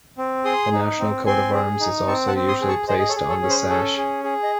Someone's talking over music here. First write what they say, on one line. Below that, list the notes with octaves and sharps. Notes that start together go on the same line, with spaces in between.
The national coat of arms is also usually placed on the sash.
C4
G#4 C6 D#6
D#4
C4
C4 G#5 C6
G#4
D#4
C4 A5 C#6
F#5 A5
C4
C6 D#6
G#4
A5 C#6
G#4 C5 D#5
D#5
A4 C#5
G#4
A4 C#5
C#4
C5
C#4 A4
G#4
G#4
D#5